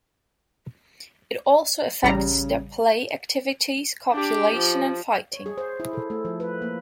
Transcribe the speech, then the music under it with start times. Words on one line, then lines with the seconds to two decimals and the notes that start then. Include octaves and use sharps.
It also affects their play activities, copulation, and fighting.
2.03 A1 C#3 G3 A#5
4.12 D4 G4
4.56 F3
5.33 C#5
5.46 G#4
5.58 C5
5.80 E4
5.93 A4
6.10 A3
6.25 F3
6.40 B4
6.62 A#3